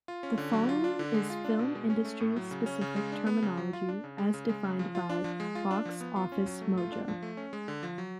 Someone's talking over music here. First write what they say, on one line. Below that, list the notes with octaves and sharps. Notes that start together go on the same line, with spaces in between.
The following is film industry specific terminology as defined by Box Office Mojo.
F4
C#4
D3
F#3
F4
D4
D3
G#3
F4
D4
B2
G#3
C#4
A3
A2
F#3
C#3
C#4
C#3
G#3
D4
B3
C#3
F#3
F4
D4
C#3
G#3
C#3
G#3
C#3
F3
F4
D4
F3
G#3
F4
D4
F3
B3
F4
C#4
F#3
A3
F4
D4
F3
A3
C#4
G#3
D3
F3
F#3